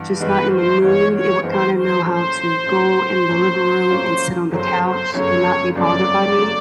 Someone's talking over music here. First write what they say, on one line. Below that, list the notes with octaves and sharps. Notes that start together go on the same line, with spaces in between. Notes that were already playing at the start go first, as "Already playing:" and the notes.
just not in the mood it would, kinda know how to go in the living room and sit on the couch, and not be bothered by me,
Already playing: G2 E3 B3
G2 E3 G#3 B3 B4
C5
G2 E3 G#3 B3 C#5
C#5
G2 E3 G#3 B3 C5
C5
A2 F#3 A#3 C#4 F4 C5
A2 F#3 A#3 C#4 F4
A2 F#3 A#3 C#4 F4
A2 F#3 A#3 C#4 F4
G1 F#2 C#3 F#3 A3 C5
C5
G1 F#2 C#3 F#3 A3 C#5
G1 F#2 C#3 F#3 A3 D5
C#3 F#3 A3